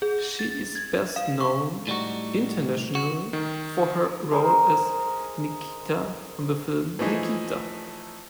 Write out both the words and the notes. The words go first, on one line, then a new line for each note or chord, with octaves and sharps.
She is best known internationally for her role as Nikita in the film "Nikita".
G#4
A6
G#6
F5
C#6
A2 G3 D#4 F#4
F#4
D#3
G#3 G#4 A#4 C5
E3 F3 A3 D#4 G#4